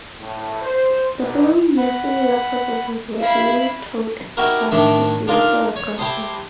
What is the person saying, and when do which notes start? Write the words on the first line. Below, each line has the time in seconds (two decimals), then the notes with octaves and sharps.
The following year similar processes were being touted by Sydney photographers.
0.20 A2
0.62 C5
1.19 B1
1.78 F#5 B5
3.19 E4 F5 B5
4.37 D#4 E4 F#4 G4 A#4
4.71 A2 D#3 D4 E5
5.27 D4 D#4 F4 A#4 D#5 G#5
5.76 C#5
5.98 E4 G4 C5 A5 C6 D#6